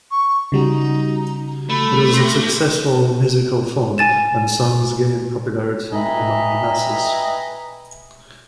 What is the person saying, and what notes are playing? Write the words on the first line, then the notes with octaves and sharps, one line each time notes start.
It was a successful musical film and songs gained popularity among the masses.
C#6
C#3 G3 D#4 F#4
A3 B5
G4 C6 A#6
G#5 A6 E7
B4 D#5 E5 G5 G#5 A#5